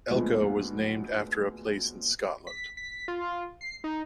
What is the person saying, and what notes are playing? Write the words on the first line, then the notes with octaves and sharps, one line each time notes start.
Elcho was named after a place in Scotland.
D2 A#2 F3 G#3 B3
B6
B6
F4
C7
D#4